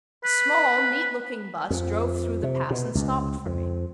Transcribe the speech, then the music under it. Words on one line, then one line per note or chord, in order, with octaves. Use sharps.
A small, neat-looking bus drove through the pass and stopped for me.
B4
F2
C3
B2
C#2
F2